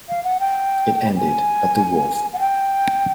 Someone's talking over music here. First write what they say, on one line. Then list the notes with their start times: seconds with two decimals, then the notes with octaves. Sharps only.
It ended at the wharf.
0.09 F5
0.24 F#5
0.40 G5
1.16 G#5
2.33 F#5
2.40 G5